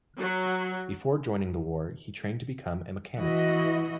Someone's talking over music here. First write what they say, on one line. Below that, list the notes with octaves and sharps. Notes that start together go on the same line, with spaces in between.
Before joining the war, he trained to become a mechanic.
F#3
E3 E4 F#4 D#5